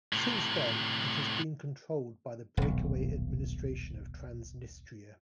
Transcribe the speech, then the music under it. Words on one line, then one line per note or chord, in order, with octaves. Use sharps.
Since then, it has been controlled by the breakaway administration of Transnistria.
A2 C3
D#1 B1